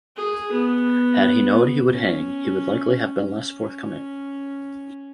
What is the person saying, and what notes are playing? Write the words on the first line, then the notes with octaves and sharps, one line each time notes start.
Had he known he would hang he would likely have been less forthcoming.
G#4
B3
C#4
C#4